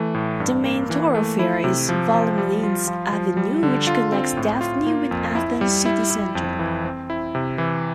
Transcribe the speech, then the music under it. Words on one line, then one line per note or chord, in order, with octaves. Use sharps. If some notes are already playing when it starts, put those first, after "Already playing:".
The main thoroughfare is Vouliagmenis Avenue, which connects Dafni with Athens city centre.
Already playing: E3 A3
A2
G2
A#3
E3
A3
E4
C3
F3
F3
G3
F4
F3
F3
G3
D3
F4
C4
A2
F4
A#3
F2
E4
G3
E4
E4
F2
E3
C4
E4
C3
E3